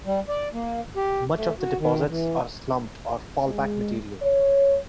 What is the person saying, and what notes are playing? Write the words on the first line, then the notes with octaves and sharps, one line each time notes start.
Much of the deposits are slumped or fall-back material.
G3
D5
A#3
G4
A3
F#4
D#3
E3
G#3
C#5